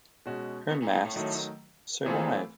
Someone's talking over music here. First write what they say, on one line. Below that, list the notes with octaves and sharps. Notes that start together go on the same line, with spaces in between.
Her masts survive.
B2 G#3 C#4 F#4
B2
A#2
G#2
A2
D#3 F#3 A3
A#2 E3 A3 C4 F4 G#4